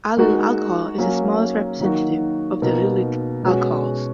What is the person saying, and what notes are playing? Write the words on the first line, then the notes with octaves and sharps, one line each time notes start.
Allyl alcohol is the smallest representative of the allylic alcohols.
G#3 D#4 F#4 A#4
F#3 A#3 C#4
D#3 F#3 A#3 D#4 F#4
B2 A#3 D#4 A#4
B2 G#3 C#4 F#4